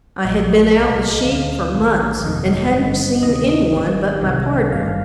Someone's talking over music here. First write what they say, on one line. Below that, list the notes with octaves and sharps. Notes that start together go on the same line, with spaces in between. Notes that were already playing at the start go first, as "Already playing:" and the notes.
I had been out with sheep for months and hadn't seen any one but my pardner.
A#1 A#2 D#5
C2 A#2
D2 D3 F5
A#1 G#2 D#3
G1 F2 C3 D#3 D#5
G#1 G2 D3
D2 C3 D#3 D#5
G#1 G#2 D#3
C2 C3 D#3
G#1 G2 D#3 F5